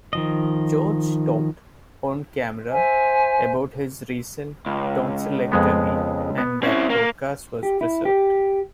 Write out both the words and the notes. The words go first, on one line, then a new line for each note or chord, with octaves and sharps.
George talked on-camera about his recent tonsillectomy, and that broadcast was preserved.
D#3 F3 D#5
C5 E5 G#5
C#2
F2 G#3 B3
B3
C4 C#4 E4
A#3
G4
E4
G4